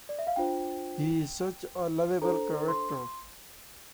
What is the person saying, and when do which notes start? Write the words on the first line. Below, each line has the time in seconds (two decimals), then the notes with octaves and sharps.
He's such a lovable character.
0.09 D5
0.19 E5
0.27 F5
0.36 D4 F4 C5 G5
2.22 D4 A4 C5 A#5
2.68 C6